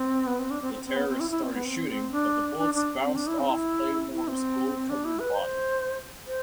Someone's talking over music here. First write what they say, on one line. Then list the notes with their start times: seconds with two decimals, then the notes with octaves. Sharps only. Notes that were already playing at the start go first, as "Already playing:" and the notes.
The terrorists started shooting, but the bullets bounced off Claymore's gold-covered body.
Already playing: C4
0.27 B3
0.39 C4
0.51 D4
0.62 C4
0.74 C4
0.85 C4
0.96 B3
1.09 C4
1.20 E4
1.31 E4
1.43 C4
1.54 B3
1.65 C4
1.89 C4
2.12 D4
2.58 D4
2.74 D4
3.04 C4
3.16 D4
3.27 E4
3.39 C4
3.50 E4
4.12 E4
4.28 C4
4.90 D4
5.05 E4
5.19 B4
5.35 C5
6.27 C5